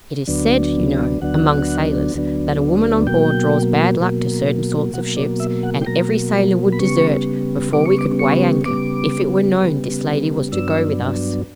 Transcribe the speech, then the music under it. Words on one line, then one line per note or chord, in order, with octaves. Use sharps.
It is said, you know, among sailors, that a woman on board draws bad luck to certain sorts of ships, and every sailor would desert, before we could weigh anchor, if it were known this lady was to go with us.
D2 D3 F#3 B3 D4
D2 D3 F#3 B3 D4 F#5
D2 D3 F#3 B3 D4
B2 F#3 A#3 G5
B2 F#3 A#3
B2 F#3 A#3 F#5
D5
E5
F#5
G5
B2 F#3 A#3 A#5
B5
C#3 G3 B3 C#6
C#3 G3 B3 D6
C#6
D6
C#6
C#3 G3 B3 D6
C#3 G3 B3
G2 F#3 B3 D4 E6